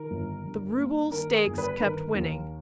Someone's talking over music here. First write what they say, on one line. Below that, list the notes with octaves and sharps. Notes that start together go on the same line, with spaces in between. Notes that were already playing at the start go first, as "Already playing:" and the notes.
The rouble stakes kept winning.
Already playing: D#3 A#4
G1
G2
A#3
D#3 A#4
G#4
G1
B4
D#3 A#4
D#2